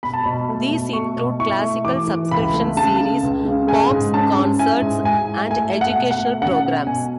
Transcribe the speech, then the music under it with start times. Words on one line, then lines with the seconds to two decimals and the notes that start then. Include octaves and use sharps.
These include classical subscription series, pops concerts, and educational programs.
0.03 B2 B5
0.14 A5
0.24 B2 B5
0.48 A3
0.71 B2
0.93 A3 C#6
1.17 B2
1.39 E4 C#6
1.62 A3
1.85 E3 D6
2.07 E3
2.31 C#2 B5
2.53 A3
2.77 C#3 A5
3.00 C#3
3.23 C#2
3.45 C#3
3.67 G#3 G#5
3.90 G#2
4.14 C#4 A5
4.36 C#4
4.59 E4 G#5
4.82 G#2
5.04 G#2 G#5
5.27 E4
5.51 A3 G#5
5.74 A3
5.81 F#5
5.96 B2
6.11 F#5
6.19 A3
6.42 C#4 F#5
6.65 B2
6.87 B2 G#5